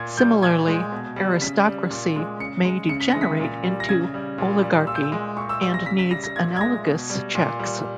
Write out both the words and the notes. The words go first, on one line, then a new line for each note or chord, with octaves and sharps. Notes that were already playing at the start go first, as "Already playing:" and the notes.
Similarly, Aristocracy may degenerate into Oligarchy, and needs analogous checks.
Already playing: A#2 G#6
G3 G6
A#2 G#6
G#3
B2
G3
C#3 B6
G3
A#2
G#3
C#3 C#7
G#3
C#3 C#7
B6
E3 G#3 A#6
B6
A#2
G3
A#6
C#3 G#6
G3
A#2
G3
A#2 E6
G6
E6
G#3
A#2 C#6
E6
G3 E6
A#6
C#3 B6
B6
G3 A#6
A#6
A#2 G#6
G#6
G#3 A#6
B2
G3
A#2
G3